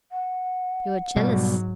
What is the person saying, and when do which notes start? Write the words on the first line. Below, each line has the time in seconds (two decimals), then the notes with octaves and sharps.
You are jealous.
0.12 F#5
1.16 G#2 B2 F#3 G3